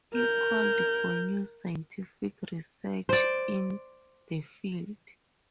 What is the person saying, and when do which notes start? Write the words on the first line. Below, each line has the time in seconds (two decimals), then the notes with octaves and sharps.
He called for new scientific research in the field.
0.14 A#4 G6
3.09 C5 D5